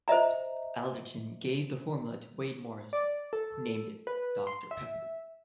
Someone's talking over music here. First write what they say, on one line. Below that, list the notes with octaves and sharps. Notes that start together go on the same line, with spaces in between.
Alderton gave the formula to Wade Morrison, who named it Doctor Pepper.
C5 D#5 E5 A#5
D5
A4
B4
C6
E5